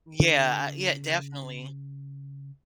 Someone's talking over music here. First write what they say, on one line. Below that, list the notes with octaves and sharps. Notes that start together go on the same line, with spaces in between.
Yeah, uh, yeah, definitely.
C#3 D4